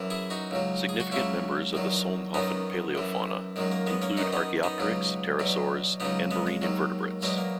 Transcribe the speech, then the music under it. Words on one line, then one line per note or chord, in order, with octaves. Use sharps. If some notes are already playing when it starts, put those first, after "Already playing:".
Significant members of the Solnhofen paleofauna include "Archaeopteryx", pterosaurs, and marine invertebrates.
Already playing: F#2 E3
E4 G#4
D#4 F#4
C#2 C#3 F#3
G#4
F#4
C#2 C#3 F#3 C#4 E4
E2 D#3 F#3
F#2 D#3 F#3 B3 D#4
F#2 E3
F#2 D#3 F#3 G#3
A#3
G#3 B3
A#3 C#4
F#2 D#3 F#3 B3 D#4
B3 D#4
B3 D#4
C#2 B2 F#3
E2 B2 F#3
C#2 C#3 F#3 B3 D#4
G#3 B3
G#3
D#2 D#3 F#3
E2 B2 F#3 G#3
A#3